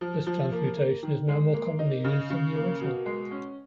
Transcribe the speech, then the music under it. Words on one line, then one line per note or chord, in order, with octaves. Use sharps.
This transmutation is now more commonly used than the original.
F3
F3
A#3
A#3
D#3
G#3
A#3
D#4
C#3
C#3
A#3
B2
G#3
C#4